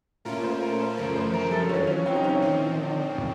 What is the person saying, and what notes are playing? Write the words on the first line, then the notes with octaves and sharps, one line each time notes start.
He should admit it and move on.
A#2 A3 C#4 F4 A#4
C5
A#4
C5
F#2 C#3 F3 A3 A#4
C5
A#4
A4
F2 C#3 F#3 C#4
C#4
C4
D#4
C#4
A#2 F3 C4